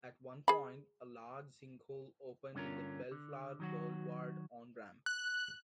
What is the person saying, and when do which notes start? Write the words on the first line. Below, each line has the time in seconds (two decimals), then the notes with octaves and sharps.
At one point a large sinkhole opened in the Bellflower Boulevard on-ramp.
0.48 G#4 B5
2.55 G2 D3 C#4 F4 A#4
3.12 D3
3.60 D#3 F#3 F#4
5.06 F#6